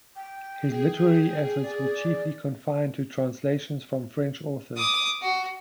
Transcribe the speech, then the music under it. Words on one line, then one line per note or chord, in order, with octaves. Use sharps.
His literary efforts were chiefly confined to translations from French authors.
G5
G#4
D5
D6 D#6
F#4